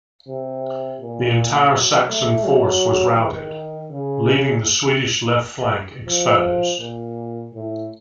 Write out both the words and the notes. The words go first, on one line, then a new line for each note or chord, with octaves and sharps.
The entire Saxon force was routed, leaving the Swedish left flank exposed.
C3
A#2
F#3
A3
F#3
D#3
C#3
F3
A#2
A2